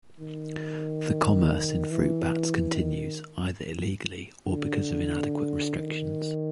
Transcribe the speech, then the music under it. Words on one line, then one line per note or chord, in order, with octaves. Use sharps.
The commerce in fruit bats continues either illegally or because of inadequate restrictions.
D#3
E3
D#3
D3
D#3